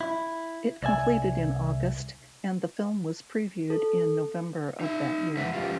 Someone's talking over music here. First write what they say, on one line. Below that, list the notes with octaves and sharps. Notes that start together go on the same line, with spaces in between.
It completed in August and the film was previewed in November of that year.
E4
C2 D5 E5 G#5
A4
D#4 E5
E2 G#3 B4 E5 F#5
F3 G#3 C#4 F4 G4 F5